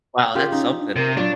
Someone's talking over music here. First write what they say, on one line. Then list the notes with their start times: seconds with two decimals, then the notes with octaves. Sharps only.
Wow, that's something.
0.35 C#3 F4 G4 A#4
0.52 C#4 D#4
0.80 D4
0.96 C3 A#4
1.17 A#2 F#3 D4 C#5 D5